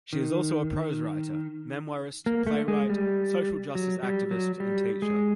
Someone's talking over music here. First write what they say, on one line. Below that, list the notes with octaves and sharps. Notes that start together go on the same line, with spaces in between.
She is also a prose writer, memoirist, playwright, social justice activist and teacher.
D#3
A#3
A3
G#3
G3
F#3
G3
F#3
G3
G#3